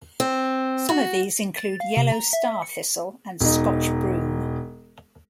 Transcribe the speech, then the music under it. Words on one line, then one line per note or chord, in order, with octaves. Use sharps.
Some of these include yellow starthistle and scotch broom.
C4
F#4
A6
F5
C3
A#5
E5
C#7
E1 D#4